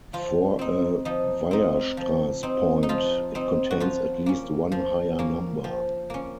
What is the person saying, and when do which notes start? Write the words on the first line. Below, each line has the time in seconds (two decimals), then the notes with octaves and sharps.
For a Weierstrass point it contains at least one higher number.
0.13 F3 F4
0.59 C4 D#4
1.05 F3 D#4
1.51 C4 D#4
1.97 F3
2.43 C4 D#4
2.83 D#4
2.89 F3 F4
3.35 C4 D#4
3.71 F#4
3.80 F3 F4
4.26 A#3 C#4
4.72 F3
5.19 A#3 C#4
5.64 F3
6.10 A#3 C#4